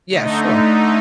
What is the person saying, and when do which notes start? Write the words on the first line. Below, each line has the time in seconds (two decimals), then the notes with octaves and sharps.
Yeah, sure.
0.10 D3 A3 D#4